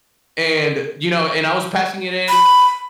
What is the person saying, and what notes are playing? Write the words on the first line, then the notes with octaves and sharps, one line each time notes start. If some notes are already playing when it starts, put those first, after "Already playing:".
And, you know and I was passing it in
B5